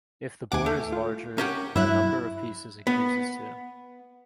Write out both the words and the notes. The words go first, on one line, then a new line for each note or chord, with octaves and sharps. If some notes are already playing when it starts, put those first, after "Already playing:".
If the board is larger the number of pieces increases too.
D#2 F#5 G#5 D6
A3
F4
C#4 G4 A#4 F#5
G2 F#3 E4 E5 F#6
B3